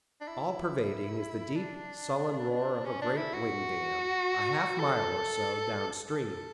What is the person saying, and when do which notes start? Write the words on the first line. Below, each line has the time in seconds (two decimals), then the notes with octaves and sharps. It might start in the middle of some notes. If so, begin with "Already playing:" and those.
All pervading is the deep, sullen roar of a great wing-dam, a half mile or so down-stream.
0.21 D4
0.27 E4
1.56 D4
2.85 C#4
3.02 D4
3.17 E4
3.34 F#4
4.79 A4
6.08 A4